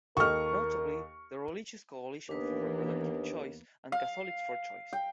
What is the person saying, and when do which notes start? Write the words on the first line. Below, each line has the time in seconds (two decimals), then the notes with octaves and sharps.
Notably, the Religious Coalition for Reproductive Choice and Catholics for Choice.
0.17 D#2 A4 A#4 D#5 C#6 F6
2.29 D#2 E3 A#3 B3 D4 B4 D#6
3.92 F5
4.93 G5